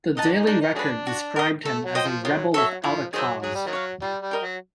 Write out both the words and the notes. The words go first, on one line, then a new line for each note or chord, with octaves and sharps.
The Daily Record described him as a "rebel- without-a-cause".
D#4 D#5 F#5 A5
D4
D#4
D4 D#4
D#4
F#3 A3 D4 G#4 B4
F#4
A#4 D#5
A3 A4
F#3
C5 D#5 G5
F3
D#3 F#3 F4
F#3 A4 C#5 E5
F3 E4
D#3 F#3 G#4 C5 E5
F#3 G#4
G3
D#3 F#3
C#5 F5
G3 F4
G3
A#4 D#5 G5
F#3